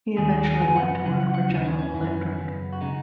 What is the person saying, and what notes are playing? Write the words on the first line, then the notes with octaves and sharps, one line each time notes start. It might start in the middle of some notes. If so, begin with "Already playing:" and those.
He eventually went to work for General Electric.
D#2 D#3 G#3 G#4
G#4
G#4
F#2 C#3 B3 G#5
F#5
C#2 C#3 F#3 C#4 F#5
F#5
F#5
D#2 D#3 B3 D#4
C#4
C#4
F#2 D#3 B3
F#2 C#3 B3
F#4
C#3 G#3 D#4